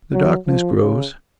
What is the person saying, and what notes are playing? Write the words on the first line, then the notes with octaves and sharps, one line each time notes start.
The darkness grows.
F#3
F3
C#3